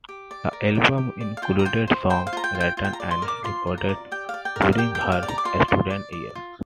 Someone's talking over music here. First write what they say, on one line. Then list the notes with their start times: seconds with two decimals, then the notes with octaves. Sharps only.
The album included songs written and recorded during her student years.
0.09 G4
0.31 D5
0.53 A#4
0.75 G4
0.98 G4
1.21 D5
1.37 F5
1.42 F4 G5
1.59 A#5
1.65 F4 G5
1.88 C5
2.10 C5 G5
2.27 F5
2.33 F4 A#5
2.44 G5
2.55 F4
2.60 G5
2.77 F4
2.85 G5
2.93 A#5
3.00 D5
3.11 C6
3.22 A#4
3.28 D6
3.44 F4 C6
3.67 F4
3.78 A#5
3.89 D5
4.12 G4 G5
4.29 D5 F5
4.45 G5
4.56 A#4
4.62 F5
4.72 F5
4.78 G4 G5
4.95 G5
5.01 G4
5.12 F5
5.23 D5
5.28 A#5
5.38 D6
5.45 F4 C6
5.68 F4
5.90 D5
6.13 D5
6.35 F4